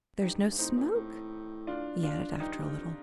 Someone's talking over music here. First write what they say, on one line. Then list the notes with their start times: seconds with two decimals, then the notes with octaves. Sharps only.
"There's no smoke," he added after a little.
0.21 G2 D#4 G4
0.40 G2
0.51 G2
0.58 A2 C4 D#4
0.76 A#2
0.94 A2
1.67 D4 F4
2.03 D4 F4
2.40 G2 D#4 G4
2.58 G2
2.77 F2